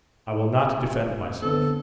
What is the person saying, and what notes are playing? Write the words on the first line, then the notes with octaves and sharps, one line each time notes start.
I will not defend myself.
D3 B3 C4 A4